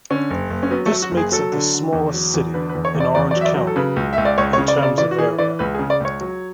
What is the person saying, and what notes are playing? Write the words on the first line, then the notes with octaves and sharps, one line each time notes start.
This makes it the smallest city in Orange County in terms of area.
D3 C#4
F#1
F#1
C#4
F#3 B3
A3
F#3
F#4
F#1
G#4
F#3 A4
D3
D3
E2
F#3
E2
D3 B4
B4
E2
C#5
E2
D5
E2 D5
D5
F#3
E5
D5
F#3
A4
C#3 B4
C#2
C#2 E5
D5
C#2 C#5
C#5
C#3
D5
C#3
D5
E3 D5
F#4
E3 G#4
E3 D5
C#2 B4
G#4
C#3
D5
C#2 C#5
F#3